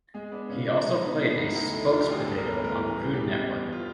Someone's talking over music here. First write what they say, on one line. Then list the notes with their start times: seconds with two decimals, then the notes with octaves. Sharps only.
He also played a spokes-potato on Food Network.
0.14 G#3 G#4
0.31 B3 D4
0.49 C#3 C#4
0.67 F3 D4
0.85 G#3
0.93 D#4
1.02 B3
1.19 F3 E4
1.37 D2 D#4
1.48 E4
1.55 D2 D#4
1.73 D3 E4
1.86 F3 F4
2.00 G4
2.08 D2 G#4
2.25 G3 A4
2.38 B3 A#4
2.52 B4
2.61 A2 A#4
2.78 E3 A#4
2.96 G3 G#4
3.13 B3 G4
3.31 G3
3.49 E2
3.66 E2
3.73 F4